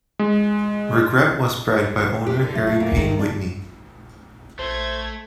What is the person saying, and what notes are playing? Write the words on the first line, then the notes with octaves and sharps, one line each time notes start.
Regret was bred by owner Harry Payne Whitney.
G#3
G4
D3
A3
A3
A#2
D#3
D4
A#1 A3 C5 E5 G#6